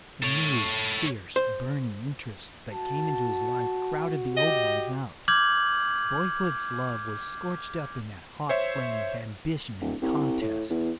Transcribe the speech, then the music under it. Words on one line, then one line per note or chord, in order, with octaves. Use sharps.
The new, fierce, burning interests that came into his life crowded the old ones out. Boyhood's love was scorched up in that hot flame of ambition and contest.
A4 C#5
C5
F#4 A5
G4 D#5
D6 F6 G6 G#6 F#7
C5 C#5 E5
D1
C2
A2
E2